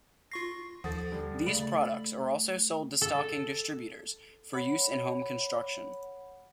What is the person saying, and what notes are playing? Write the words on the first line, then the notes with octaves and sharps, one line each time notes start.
These products are also sold to stocking distributors for use in home construction.
F4 C#6 A#6 C7
D#2 F3 A4 F#5 D#6 A6
D3 G3
C#3 A3 D5 B5 F#7
A4
C#5 F#5 B5